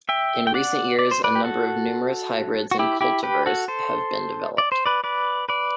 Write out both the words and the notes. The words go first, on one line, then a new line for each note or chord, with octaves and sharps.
In recent years a number of numerous hybrids and cultivars have been developed.
E5 G5
G5
D5 F#5
D5
C5
B4 D5
G4
F#4 A4
F#4
E4 G4
E4 G4
G4 B4
F#4 A4
A4 C5
D5
C5
B4 D5
B4 D5
B4 D5